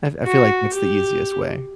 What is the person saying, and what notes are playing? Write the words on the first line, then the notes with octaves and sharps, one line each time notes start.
I f I feel like that's the easiest way.
F#4
G4